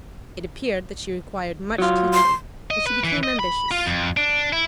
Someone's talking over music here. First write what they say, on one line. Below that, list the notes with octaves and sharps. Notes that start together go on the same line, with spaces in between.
It appeared that she required much teaching, and she became ambitious.
F#3 F4
C6
D#5
B4
E3
D#5
B5
F4
F2
D4
E4